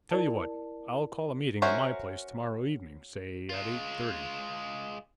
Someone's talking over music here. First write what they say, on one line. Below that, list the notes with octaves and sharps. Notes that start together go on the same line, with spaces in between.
Tell you what; I'll call a meeting at my place tomorrow evening, say at eight thirty.
E4 A#4 D5 A5
C#4 F#4 A#4 C5 E5
G#3 F4